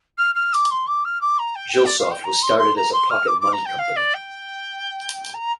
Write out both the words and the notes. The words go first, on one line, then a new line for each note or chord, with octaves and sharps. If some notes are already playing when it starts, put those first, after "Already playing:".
Gilsoft was started as a pocket money company.
F6
F6
D6
C6
D6
F6
D6
A#5
G5
G5
D5
F5
G5
A#5
C6
C6
A#5
C6
F6
D6
D6
A#5
G5
F5
D5
G5
A#5